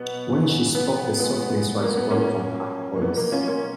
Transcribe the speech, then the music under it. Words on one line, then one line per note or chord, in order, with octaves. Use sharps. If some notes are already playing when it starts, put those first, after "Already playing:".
When she spoke the softness was gone from her voice.
Already playing: B2 F#3 B3
C#3 F#3
B3
A#2 G#3 B3
A#3
B3
A#2 F#3 A#3 C#4
A#3
B2 F#3 B3
A#3
C#4 F4
A#3 C#4